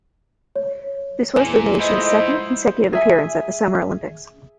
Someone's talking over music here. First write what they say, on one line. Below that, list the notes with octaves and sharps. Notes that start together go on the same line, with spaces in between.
This was the nation's second consecutive appearance at the Summer Olympics.
C#5
E2 A#2 G#5
G#2 F3 A3 E4 C5 D#5
G#4 E5 G#5